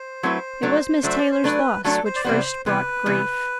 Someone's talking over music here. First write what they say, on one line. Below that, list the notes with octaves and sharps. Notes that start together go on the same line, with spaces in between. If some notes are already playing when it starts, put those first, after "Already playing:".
It was Miss Taylor's loss which first brought grief.
Already playing: C5
F#3 A3 C4 E4 B4
F#3 A3 D4
F#3 A3 D4 E5
D5
C5
F#3 A3 D4 B4
F#3 A3 D4 A4
C5
D5
C3 E3 G3 B3 C5
C3 E3 G3 B3 B4
C3 E3 G3 B3